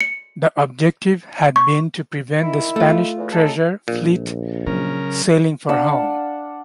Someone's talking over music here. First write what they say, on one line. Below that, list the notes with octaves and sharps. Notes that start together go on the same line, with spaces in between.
The objective had been to prevent the Spanish treasure fleet sailing for home.
C#7
C#6
D#3 E4
A3 F4
E2
C#4 D#4 A4
A#1 A#2
C#3 F#3 A#4
D4 F5 F#5 E6